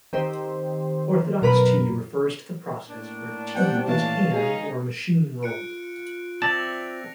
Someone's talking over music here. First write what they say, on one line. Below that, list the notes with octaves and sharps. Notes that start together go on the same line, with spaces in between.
Orthodox tea refers to the process where tea is hand- or machine-rolled.
D#3 C4 G4 C5
F#2 B2 A#4 B4 B5
A2 A#3 D4
G3 C4 F#5 G5
A#2 E3 A3 C#5 F5 A5
G#3 D#4 G#4
F4 F#6 C#7 D7
C4 D5 E5 A5 A#6 F7